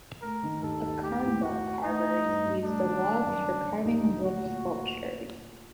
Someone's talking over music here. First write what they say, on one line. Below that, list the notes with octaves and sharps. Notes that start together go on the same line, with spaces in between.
"Akamba" carvers use the logs for carving wood sculptures.
A3 A#4
D#3
D#2 A4
D#2
A3 G4
A2
A3 F#4
A3
A3 D#4
A3
G2
G2
A3 D4
D#3
A3
F#2
D3
D3
D#2 D#4
D3
A3 F#4
A#2